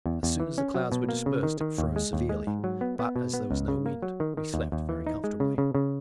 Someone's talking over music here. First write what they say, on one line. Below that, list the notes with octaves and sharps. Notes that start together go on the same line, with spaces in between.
As soon as the clouds were dispersed it froze severely; but as there was no wind, we slept very comfortably.
E2
E2
E3
C#4
F#3
B2
A#3
C#3
D#3
D#3
D#2
G#3
D#2
G#3
G#2
F#3
B3
B3
B2
B3
C#2
C#3
A#3
F#3
D#3
D#3
D#2
D#2
E3
D#4
G#3
C#3
C#3
C#3